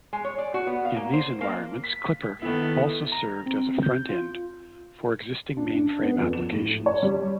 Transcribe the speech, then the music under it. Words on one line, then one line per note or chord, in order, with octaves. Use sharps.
In these environments Clipper also served as a front end for existing mainframe applications.
G#3
C#5
D5
F#4
B3
F5
A#3
C5
A#3
B6
D#3 B3 E4 A4
A#5
C4
G6
F4
D4
D4
B3
F2
E7
A2
C#5
G3